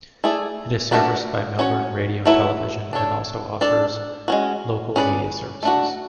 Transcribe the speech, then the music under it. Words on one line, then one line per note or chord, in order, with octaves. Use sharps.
It is serviced by Melbourne radio and Television, and also offers local media services.
A3 E4 G#4 D5
A3 D4 F#4 B4 D5
C#4 F#4 C#5
F#3 A3 E4 B4
D4 A4 C#5
D4 A4 D5
G#3 C#4 F#4
C#4 G#4 B4 D5
A3 D4 F#4